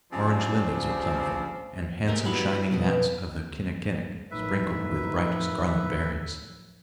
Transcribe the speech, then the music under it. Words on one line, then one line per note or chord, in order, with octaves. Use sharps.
Orange lilies are plentiful, and handsome shining mats of the kinnikinic, sprinkled with bright scarlet berries.
C#3 F3 G3 C4 D4 C5
A#2 G#3 A3 G4 A#4 D#5
F#3 G3 B3 E4 G4 B4
E4
F#5
B2 B4 D5 D#5
A1 F#2 F3 D#4 B4 E5